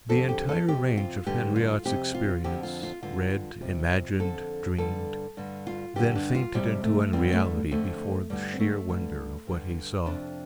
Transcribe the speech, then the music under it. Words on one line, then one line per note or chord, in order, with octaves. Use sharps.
The entire range of Henriot's experience, read, imagined, dreamed, then fainted into unreality before the sheer wonder of what he saw.
F2 D3 A4
G4
A4
F2 C3 G4
F4
G2 D3 G4
F4
F2 C3 G4
F4
F2 D3 G4
F4
F4
G2 D3 F4
F2 C3
F2 D3 A4
G2 D3 A4
G2 D3
F4
G2 D3 G4
D4
F4
F2 C3 G3
A3
G2 D3 C4
A3
F2 D3 A3
G2 D3 G3
C4
A3
G2 D3
G2 D3
F2 C3 D4